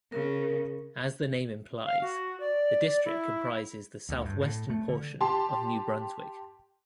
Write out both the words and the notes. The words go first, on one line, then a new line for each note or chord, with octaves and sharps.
As the name implies, the district comprises the southwestern portion of New Brunswick.
C#3 A#4
F5
F#4
D5
D5
E4
D2
G2
A2
A3
D3
G4 A5 C6